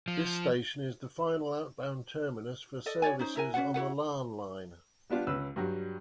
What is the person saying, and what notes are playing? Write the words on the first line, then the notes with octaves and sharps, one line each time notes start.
This station is the final outbound terminus for services on the Larne Line.
F3
A4 D5 D#5
F#4 C#5 D5 G#5
C#4 D#4 C5
E4 A#4 G#5
C#4 F4 F#4 F#5
E4 F#4 B4 F#5
G3 B3 D4 F4 G4
C#2 C#4 B4 E6
G2 F#3 G3